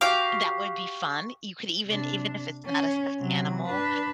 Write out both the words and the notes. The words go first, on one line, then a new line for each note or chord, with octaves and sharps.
that would be fun. You could even even if it's not a stuffed animal,
F#4 G4 F5 D6
C3 D4
C#4
C3 F#3
D4 B4